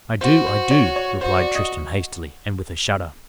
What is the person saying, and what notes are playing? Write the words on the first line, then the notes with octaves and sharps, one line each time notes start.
"I do--I do," replied Tristram hastily, and with a shudder.
F#4 C5
C5
C#5
C#5
F#4 C5
D5
D#5